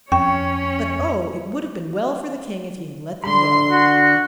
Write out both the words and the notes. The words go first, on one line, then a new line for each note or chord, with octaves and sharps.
But O! it would have been well for the King if he had let them go!
F2 C#4 C#5 G5 C#6
D3 B5 C6
F#4